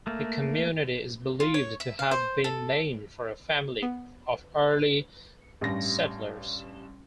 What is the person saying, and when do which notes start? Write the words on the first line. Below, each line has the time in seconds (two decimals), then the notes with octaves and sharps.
The community is believed to have been named for a family of early settlers.
0.07 A3 A#3
1.40 F4
1.54 C#5
1.80 E5
1.99 F5
2.11 C5
2.44 A4
3.82 B3
5.61 A1 G2 A#6